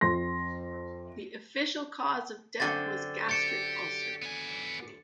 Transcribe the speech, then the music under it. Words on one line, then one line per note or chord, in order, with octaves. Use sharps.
The official cause of death was gastric ulcer.
F2 C6 A#6
F#2 D3 C4 A6 G7
G4 A6 C#7 E7
B3 G#5